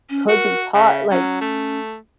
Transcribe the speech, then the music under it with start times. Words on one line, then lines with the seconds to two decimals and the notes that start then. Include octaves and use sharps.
could be taught, like,
0.10 C#4
0.28 F#4 A#4
0.74 C#3 E5
1.11 F#3 C#4
1.41 A3